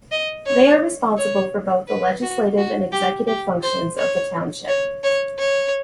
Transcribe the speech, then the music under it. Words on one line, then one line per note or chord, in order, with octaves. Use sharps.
They are responsible for both the legislative and executive functions of the township.
D#5
C#5
C#5
B4
F#4
F#4
G4
G4
C5
C#5
C#5
C#5
C#5